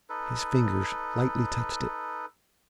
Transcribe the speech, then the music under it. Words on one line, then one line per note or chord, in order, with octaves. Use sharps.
His fingers lightly touched it.
D#4 A4 B4